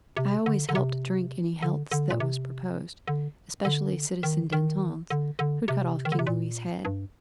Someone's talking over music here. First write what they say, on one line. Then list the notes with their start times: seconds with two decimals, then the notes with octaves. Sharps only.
I always helped drink any healths that was proposed--specially Citizen Danton's who'd cut off King Louis' head.
0.17 C3
0.46 D3
0.69 D3
0.75 C3
1.62 D3
1.91 D3
2.10 A#2
2.20 C3
3.07 D3
3.65 D3
4.23 D#3
4.52 D#3
5.10 D3
5.39 D3
5.68 C3
6.05 D#3
6.12 D3
6.19 C3
6.27 A#2
6.85 G2